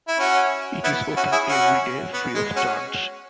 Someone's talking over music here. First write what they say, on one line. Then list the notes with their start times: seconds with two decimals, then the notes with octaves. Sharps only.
It is open every day free of charge.
0.08 E4
0.19 C#4 F#4
0.84 B3 E4
1.17 C#4 F#4
1.32 E4 G#4
1.48 C#4 F#4
2.13 B3
2.35 G#3
2.56 C#4 F#4